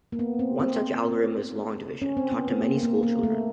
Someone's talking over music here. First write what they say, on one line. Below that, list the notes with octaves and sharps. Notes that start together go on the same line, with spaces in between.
One such algorithm is long division, taught to many school children.
A#3
B3
C4
C4
C#4
C4
B3
C4
A#3
A#3
A#3
A3